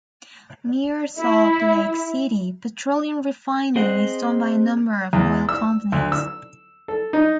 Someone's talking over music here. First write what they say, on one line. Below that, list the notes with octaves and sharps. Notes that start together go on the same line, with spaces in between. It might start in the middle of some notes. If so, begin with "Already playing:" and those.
Near Salt Lake City, petroleum refining is done by a number of oil companies.
E4
C4 G#4 C5 D#5 F#5
E2
E6
D2
E6
A4
D#4